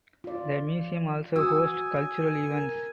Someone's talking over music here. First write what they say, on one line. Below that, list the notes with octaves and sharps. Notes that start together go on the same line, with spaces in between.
The museum also host cultural events.
F4 D5
F#4 G#5 D#6 E6
A#4